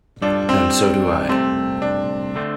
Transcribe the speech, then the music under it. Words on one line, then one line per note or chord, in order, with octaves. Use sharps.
And so do I.
G2 G3 D4 F4 A4
C4
C2 C3 A3 C4
D4
D3 A3 C4